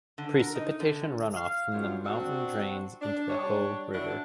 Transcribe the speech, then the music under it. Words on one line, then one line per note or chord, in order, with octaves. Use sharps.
Precipitation runoff from the mountain drains into the Hoh River.
D3
A#4
D#4
D3
F5
F#2 F4
C4 D4 F#4
D4
G3 D4 C#5
E3 D4 E4 F#4